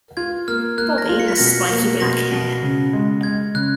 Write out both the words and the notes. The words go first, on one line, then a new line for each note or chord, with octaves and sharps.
Bobby has spiky black hair.
F4 G#6
A#3 F6
A#3 F#6
A#6
F4
C#7
B6
B2 A#6
B6
A#3
B2 A#6
B2
C#3
G#3
G#3 G#6
C#3 F#6